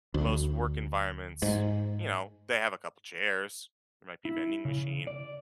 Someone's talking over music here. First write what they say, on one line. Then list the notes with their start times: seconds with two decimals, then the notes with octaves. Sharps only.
most work environments, you know, they have a couple chairs, there might be a vending machine.
0.14 D2
1.42 G#2
4.25 E4
4.65 C#3
5.07 D5